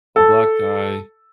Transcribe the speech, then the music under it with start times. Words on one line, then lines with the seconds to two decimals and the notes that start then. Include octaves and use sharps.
a black guy
0.16 A4